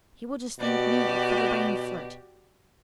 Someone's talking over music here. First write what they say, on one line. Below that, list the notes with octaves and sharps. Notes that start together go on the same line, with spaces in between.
He will just think me a feather-brained flirt.
B2 F#4 G4 D5